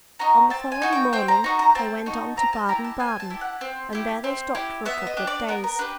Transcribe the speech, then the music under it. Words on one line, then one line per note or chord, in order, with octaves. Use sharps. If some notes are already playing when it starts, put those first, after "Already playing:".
On the following morning they went on to Baden-Baden, and there they stopped for a couple of days.
D#4 F#4 A#5
C4 A5
G#5
D#4 F#4
G5
C4 G5
A#5
D#4 F#4 A#5
A#5
C4 A5
D#4 F#4
C4 A#5
A5
E4 G4 A#5
A5
C4 G#5
A5
E4 G4
F#5
C4
E4 G4
C4
E4 G4
B3 E5
D#5
D4 G4
D5
B3 A#4
A#4
D4 G4 B4